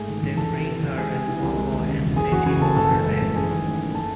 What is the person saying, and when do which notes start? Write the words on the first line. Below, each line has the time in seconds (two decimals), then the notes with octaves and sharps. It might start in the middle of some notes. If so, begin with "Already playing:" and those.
They bring her a small boy and set him on her lap.
Already playing: G#2 A3 G#4 G#5
0.08 D#3
0.22 A1
0.37 E2 A4 A5
0.53 C3
0.68 E3
0.83 E2
0.97 G#3 G#4 G#5
1.13 C3
1.28 E3
1.43 C2
1.57 G#3
1.72 D#2
1.87 C#3
2.02 E1
2.16 F#1 G#4 G#5
2.32 E2 F#4 F#5
2.46 C#3 G#4 G#5
2.61 F#1 A4 A5
2.76 A1 A4 A5
2.92 A2
3.05 G#3
3.21 A1
3.36 F#2 G#4 G#5
3.51 D#3
3.66 A3
3.80 F#2
3.95 A3 A4 A5